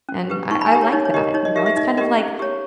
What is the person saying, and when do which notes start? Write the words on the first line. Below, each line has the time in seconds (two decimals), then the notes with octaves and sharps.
and I I like that, you know? It's kind of like
0.09 C#4
0.30 G4 B4
0.51 D#4 C#6
0.61 B5
0.67 G#5
0.72 A#4 A#5
0.75 G4
0.82 C#5
0.93 D#4 C#5
1.05 C#5
1.14 G4 A#4 D#5
1.34 D#4 C#5
1.45 D#5
1.56 G4 A#4 E5
1.66 E5
1.76 D#4 D#5
1.97 G4 A#4 D#5
2.19 C#4
2.39 G4 C#5